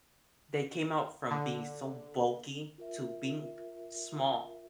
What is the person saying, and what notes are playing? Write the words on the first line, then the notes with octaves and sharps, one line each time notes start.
they came out from being so bulky to being small,
D3
F4 A#4 E5